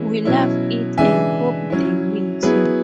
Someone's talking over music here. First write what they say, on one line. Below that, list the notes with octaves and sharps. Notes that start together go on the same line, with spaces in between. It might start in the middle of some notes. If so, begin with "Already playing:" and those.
We love it and hope they will too!
Already playing: E3 G#3 C#4 E4
B2 F#3 C#4 E4
C#3 E3 G#3 D4 E5 G#5
F#3 C#4 E4
F#3 B3 E4 G#4 B4